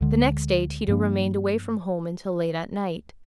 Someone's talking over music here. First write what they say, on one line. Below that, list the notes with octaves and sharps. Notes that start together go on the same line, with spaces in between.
The next day Tito remained away from home until late at night.
D2 D3 G#3
G2 F3 A#3 D4